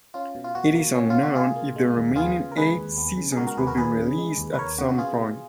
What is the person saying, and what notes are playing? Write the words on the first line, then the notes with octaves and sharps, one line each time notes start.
It is unknown if the remaining eight seasons will be released at some point.
C#4 F4
B2
F4
B2 F#4
A#3
C#4
F4
B2
F#4
B2 F4 G#4
A#3
G#3
D#2
B3 F4 G#4
C#3
A#4
G#3 G#4 B4
D#2
B3
C#3
G#4
G#3 F#4 A#4
F#4 A#4
D#2 G#4 B4
F#4 A#4
D#2 G#4 B4
C#3
G#3
D#2
B4
D#2 A#4 C#5
C#3 F#4
F#4
B3 F4 G#4
B2